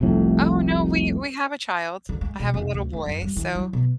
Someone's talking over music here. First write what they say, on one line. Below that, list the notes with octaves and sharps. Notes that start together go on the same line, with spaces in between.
Oh, no, we we have a child. I have a little boy, so
F1 C2 F2 A2
D3
G#3
B2
F1
D2
D2
F#2
G3
E3
F#3
B2